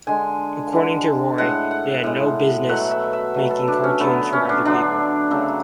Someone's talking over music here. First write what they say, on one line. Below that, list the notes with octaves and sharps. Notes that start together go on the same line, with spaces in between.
According to Roy, they had no business making cartoons for other people.
D3 G#3 G#5
D3 G#3
A2 G#3 F#5
F#5
A2 G#3
B2 F#3 A3 F#5
E5
E5
B2 F#3 A3
A4
D4
C#4
D3 F#3 A3 B3
C#4
D4
D3 F#3 A3 D4
C#3 F#3 A3